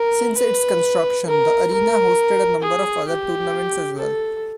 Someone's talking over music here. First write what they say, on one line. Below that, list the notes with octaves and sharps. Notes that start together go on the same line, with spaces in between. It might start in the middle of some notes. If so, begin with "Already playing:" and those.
Since its construction, the arena hosted a number of other tournaments as well.
Already playing: A#4
B4
A#4
A#4
G#4
G4
A4